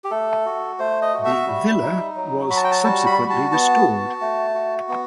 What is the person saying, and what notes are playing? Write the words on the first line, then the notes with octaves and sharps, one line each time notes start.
The villa was subsequently restored.
G4
A3 A4
F#4
A3 C5
D#5
F#4
E5
G3
D#4
F#3
F#4 B5
A5
G5
A5
G3 A5
B5
F#4
A5
B3 A5
F#4
A3
F#4
B3